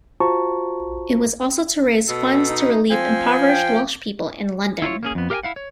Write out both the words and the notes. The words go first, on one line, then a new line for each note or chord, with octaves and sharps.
It was also to raise funds to relieve impoverished Welsh people in London.
F4 F#4 C5 A5 A#5 C#6
B2 A4
D#4
F3 C4 G#5
G5
E4 F4 B4 C#5
A#3 C#4 G#4
F2 B3
G4 A#4 E5 F5 G5 G#5
E4 F5 F#5
C#5